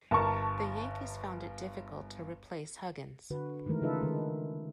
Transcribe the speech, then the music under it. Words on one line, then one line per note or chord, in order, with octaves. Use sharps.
The Yankees found it difficult to replace Huggins.
G1 A#4 A5 A#5 C#6
D3 F#4 B4
D#3 E3 G#3 A3 A#4
C#3 D#4 F4 A4 B4 E5
D3 D#3 G#3